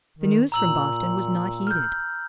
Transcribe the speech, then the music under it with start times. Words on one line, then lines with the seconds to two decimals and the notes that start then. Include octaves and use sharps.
The news from Boston was not heeded.
0.19 D#3
0.52 A#2 A#5 E6 F#7
1.67 F6 G6